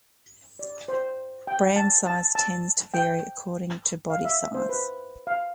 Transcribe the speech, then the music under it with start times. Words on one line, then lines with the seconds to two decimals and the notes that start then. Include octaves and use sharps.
Brain size tends to vary according to body size.
0.59 D5
0.88 C5
1.47 G5
1.76 A5
2.06 A5
2.35 A5
2.94 G5
4.10 F5
4.25 E5
4.54 C5
4.69 B4
5.27 F5